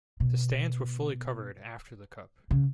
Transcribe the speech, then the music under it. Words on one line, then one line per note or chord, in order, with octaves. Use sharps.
The stands were fully covered after the cup.
B2
C#3